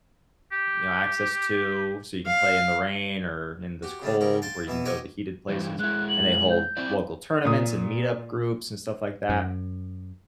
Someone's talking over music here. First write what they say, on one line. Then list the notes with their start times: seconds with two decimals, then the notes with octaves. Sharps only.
you know, access to, so you can play in the rain or in this cold, where you can go to the heated places, and they hold local tournaments and meetup groups and stuff like that.
0.52 G4
2.27 F5
3.83 F#4 G4
4.02 C#3 G3 A3 D4
4.20 C#3 G3 A#4 C#6
4.42 F5 G5 A5 C6
4.67 B2 E3 B3 E5
4.86 F#4 G4 C#5 D#5 F#5 G5
5.49 G2 E3 G3
5.79 G#3 E4 F#6
6.08 F#7
6.49 G6
6.77 C4 E4 D5
7.45 A#2 D#6
9.29 F#2